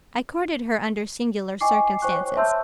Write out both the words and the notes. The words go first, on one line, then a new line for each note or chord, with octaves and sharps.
I courted her under singular circumstances.
D#5 G5 G#5 C#6 D6 C7
C5 G5 G#5 C#6 F#6
C#5
C5 E5 A5 C6 E6 G6